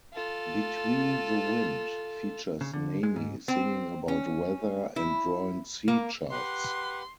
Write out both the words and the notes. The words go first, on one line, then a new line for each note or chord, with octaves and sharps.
"Between the Wind" features Nami singing about weather and drawing sea charts.
F4 A4
C#3
D3
G#3
G#2
C4
C#4
E4
A#3
G4 B4 F#5 C6